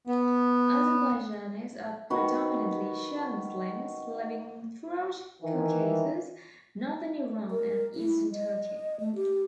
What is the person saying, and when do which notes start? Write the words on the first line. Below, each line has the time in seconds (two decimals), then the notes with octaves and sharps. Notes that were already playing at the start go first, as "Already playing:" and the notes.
Azerbaijanis are predominantly Shia Muslims living throughout Caucasus, northern Iran and eastern Turkey.
0.07 B3
2.10 D#3 F#4 B4
5.42 D#3 E3
7.51 A#4
7.95 E4
8.32 D#5
9.00 A3
9.15 G4